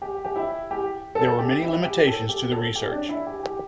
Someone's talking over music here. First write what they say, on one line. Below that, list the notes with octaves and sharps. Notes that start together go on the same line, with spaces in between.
There were many limitations to the research.
G4
G4
E4
G4
A4
G4
E4
G4
A4
G4
A4
G4
D4
E4
G4
G4